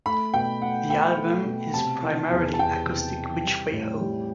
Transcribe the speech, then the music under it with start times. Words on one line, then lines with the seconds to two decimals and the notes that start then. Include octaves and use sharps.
The album is primarily acoustic-Which Way Home?
0.06 A3 B5
0.34 B2 G5
0.61 A3 F#5
0.89 B2 G5
1.18 A3
1.46 B2
1.74 C3 A5
2.02 E3
2.31 E2
2.54 A5
2.59 E2 G5
2.86 C3
3.15 E3
3.43 G3
3.71 A2
4.00 G3